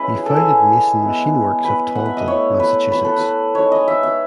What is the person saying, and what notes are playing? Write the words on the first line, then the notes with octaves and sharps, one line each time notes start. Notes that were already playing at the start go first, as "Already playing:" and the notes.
He founded Mason Machine Works of Taunton, Massachusetts.
Already playing: G#3 C#4 E4 B4 D#5
G#4
A4
G#4
G#3 B3 E4
B4
F#5
E5
D#5
A3 E4 C#5
B4
B4
A4
B4
G#3 D#4 C#5
D#5
E5
E5